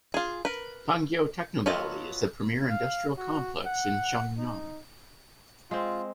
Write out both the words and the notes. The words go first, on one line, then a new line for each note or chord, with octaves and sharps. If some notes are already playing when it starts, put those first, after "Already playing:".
Pangyo Technovalley is the premier industrial complex in Seongnam.
F4 G#4
A#4 B4
F#3 B3 F4 A4 D#5
F5
F#4
F#5
D#4
G#3 C4 F4